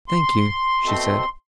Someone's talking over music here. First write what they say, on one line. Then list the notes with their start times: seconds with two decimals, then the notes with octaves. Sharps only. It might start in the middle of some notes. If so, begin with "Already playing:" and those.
"Thank you," she said.
0.08 C6
0.83 B2 A3 C4